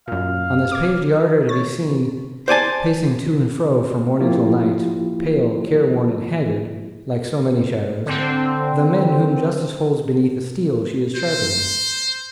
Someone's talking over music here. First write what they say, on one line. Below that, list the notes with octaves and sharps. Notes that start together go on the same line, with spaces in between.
On this paved yard are to be seen,--pacing to and fro from morning till night, pale, careworn, and haggard, like so many shadows,--the men whom justice holds beneath the steel she is sharpening.
F#2 A#2 F5
D6 G#6
C#5 A6
C5 D5 G#5 A5
F3 A#3 E4 F4 G4
D3 C4
C5